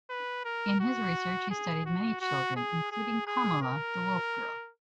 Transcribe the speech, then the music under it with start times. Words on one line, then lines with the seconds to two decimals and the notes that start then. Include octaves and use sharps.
In his research he studied many children, including Kamala, the wolf girl.
0.10 B4
0.45 A#4
0.80 F#4
1.51 G#4
1.86 F#4
2.21 F#4
2.57 G#4
2.92 G#4
3.27 G#4
3.63 A#4